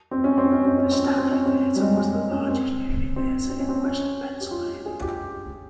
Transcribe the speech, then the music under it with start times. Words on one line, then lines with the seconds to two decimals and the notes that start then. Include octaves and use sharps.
The Stanley Theatre was the largest movie theater in Western Pennsylvania.
0.11 C4
0.24 C#4
0.38 C4
0.52 C#4
0.65 C4
0.78 C#4
0.91 C4
1.06 C#4
1.18 C4
1.31 C#4
1.46 C4
1.76 G3
1.80 G#3
1.97 G#3
2.15 A#3
2.31 C#4
2.48 C4
3.16 C4
3.50 C4
3.58 C#4
3.69 C4
3.84 C#4
4.41 G4
4.51 F4
4.86 G#4
5.02 G4